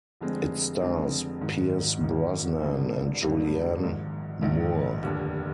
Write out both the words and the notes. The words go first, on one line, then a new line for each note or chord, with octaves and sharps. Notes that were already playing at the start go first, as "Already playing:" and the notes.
It stars Pierce Brosnan and Julianne Moore.
F1 F2 D3 G#3 C4
F1 F2 D3 G#3 C4
G#1 G#2 D#3
G#1 G#2 D#3
G#1 G2 D3
G#1 G2 D3
A#1 G#2 D#3
A#1 G#2 D#3
F1 D#2 D3